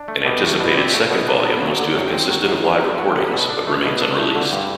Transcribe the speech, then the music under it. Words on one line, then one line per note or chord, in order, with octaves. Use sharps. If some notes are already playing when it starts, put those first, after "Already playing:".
An anticipated second volume was to have consisted of live recordings but remains unreleased.
Already playing: D4
A3
B2 G4
E2 F#4
B2 D4
E4
C4 D5
E5
A3 F#5
B2
D4
B3
F#3
D3
F#2 F#5
G5
C4
F#3
F#2
F#2
A3
F#3 F#5
G5
F#2 F#5
B4
B2 A4
D4
A3
B2
D4
A3
D3
G2